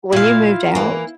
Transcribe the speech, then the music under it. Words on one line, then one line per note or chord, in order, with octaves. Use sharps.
when you moved out
A#2 E4 F4 F5
E3 A#3